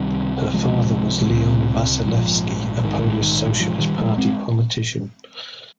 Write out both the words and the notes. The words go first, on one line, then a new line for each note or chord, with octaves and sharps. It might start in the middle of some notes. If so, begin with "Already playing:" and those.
Her father was Leon Wasilewski, a Polish Socialist Party politician.
Already playing: C#2 C3 D#3 G3
C#2 C3 F3 G#3
C#2 C3
A#1 G#2 F3
A#1 G#2 D#3
D#3
A#1 G#2 F3
D#3 G3
F3 G#3
G#3 C4